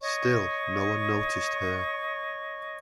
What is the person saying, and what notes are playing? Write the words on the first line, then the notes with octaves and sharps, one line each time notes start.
Still no one noticed her.
C#5 D#5 C#6